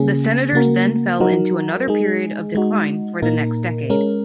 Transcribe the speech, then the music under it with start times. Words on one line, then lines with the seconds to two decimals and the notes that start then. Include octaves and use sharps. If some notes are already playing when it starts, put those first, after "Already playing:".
The Senators then fell into another period of decline for the next decade.
Already playing: C#3 A#3 C#4 G#4
0.53 C#3 A#3 F#4 A#4
1.20 F#3 D#4 F#4 A#4
1.88 G#3 D#4 G#4
2.55 G#3 D#4 F#4
3.22 A#2 A#3 D#4 A#4
3.90 G#3 C#4 A#4